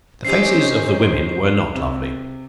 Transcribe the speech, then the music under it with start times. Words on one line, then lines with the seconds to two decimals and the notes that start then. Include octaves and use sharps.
The faces of the women were not lovely.
0.25 D#3 C4 C#4 D#4 G4 C5 C7
1.75 C3